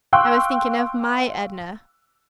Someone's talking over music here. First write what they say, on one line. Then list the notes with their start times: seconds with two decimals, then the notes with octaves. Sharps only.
I was thinking of MY Edna.
0.13 F5 G5 C6 C#6 E6 F#6